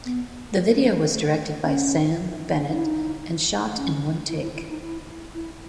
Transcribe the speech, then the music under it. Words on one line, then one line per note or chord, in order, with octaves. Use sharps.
The video was directed by Sam Bennett and shot in one take.
B3
A3
A3
C#4
D#4
E4
D#4
C#4
E4
E4
E4
D#4
E4
E4